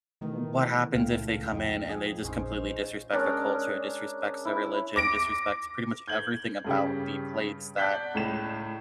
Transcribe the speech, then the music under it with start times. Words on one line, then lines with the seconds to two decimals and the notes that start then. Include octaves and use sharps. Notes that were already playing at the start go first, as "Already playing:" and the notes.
what happens if they come in and they just completely disrespect their culture, disrespects their religion, disrespects pretty much everything about the place that,
0.21 B2 D#3 E3 A3
0.95 C#2 A#2 A3 E4 F5 G5
1.53 F2 D#5 G5
1.89 G#4
2.24 A#1 C#4 D#4 C5
3.12 G#3 C#4 D4 A#4
4.45 E4
4.96 D6 A#6 D7
6.08 G6 G#6 F#7
6.65 G2 C#3 G4
7.78 D5 F#5 A5 F#6 G6 B6
8.15 C#2 A2 E7